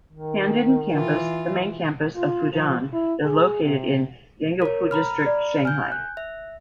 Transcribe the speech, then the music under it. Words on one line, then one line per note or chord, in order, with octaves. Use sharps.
Handan campus, the main campus of Fudan, is located in Yangpu District, Shanghai.
D#3
E3 F4
F4
F3
E4
G#4
C3
A#4 C#5
A#5 B5 F6
D5
G#5 F6 G6
F#6
E5